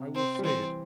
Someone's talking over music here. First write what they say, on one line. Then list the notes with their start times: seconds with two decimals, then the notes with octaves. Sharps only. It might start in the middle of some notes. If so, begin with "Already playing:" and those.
I will say it.
Already playing: C3
0.15 C4
0.39 G3
0.44 E3 C4